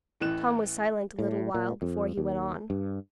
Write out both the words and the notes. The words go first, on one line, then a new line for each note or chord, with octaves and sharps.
Tom was silent a little while before he went on.
A1 A2 E3 F#6 E7
A2
A#2
F2
D#2
G2